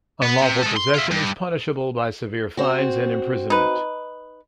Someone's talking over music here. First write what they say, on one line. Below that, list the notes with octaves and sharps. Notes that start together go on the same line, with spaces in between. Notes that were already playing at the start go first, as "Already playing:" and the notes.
Unlawful possession is punishable by severe fines and imprisonment.
B3
C3
G#3 A4
C6
F4 E5
G2
C4 F#4
D#4 B4